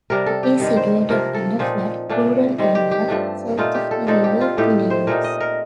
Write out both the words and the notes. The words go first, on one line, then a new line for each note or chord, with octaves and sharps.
It is situated in a flat rural area, south of the river Pineios.
C3 G3 D4 A#4
A4
G4
G2 D#3 G3 C4
C5
C3 F3 A#3 A#4
A4
A#2 F3 C4 D#4
A#2 A3 D4
D#3 G3 C4
G4
G4
G2 F3 A3 D4
A#2 A3 D#4 F4
G4
A4
A#2 F3 C4 D#4 A4
G4
F4
A2 A3 D#4 G4
C5
A#2 A3 C4 D#4 A#4
D#5
A#4